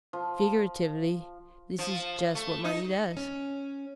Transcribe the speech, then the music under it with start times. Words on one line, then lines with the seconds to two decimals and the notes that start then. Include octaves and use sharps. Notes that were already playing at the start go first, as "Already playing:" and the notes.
Figuratively, this is just what money does.
0.13 F3
1.79 F3
2.35 A3
2.64 D#4
3.17 C#4